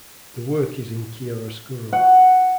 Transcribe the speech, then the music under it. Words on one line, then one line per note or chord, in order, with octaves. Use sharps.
The work is in chiaroscuro.
F#5